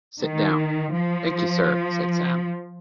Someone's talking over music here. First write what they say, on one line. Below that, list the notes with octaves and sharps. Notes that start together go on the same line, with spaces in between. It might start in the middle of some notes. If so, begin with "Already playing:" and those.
'Sit down.’ ‘Thank’ee, sir,’ said Sam.
D#3
F3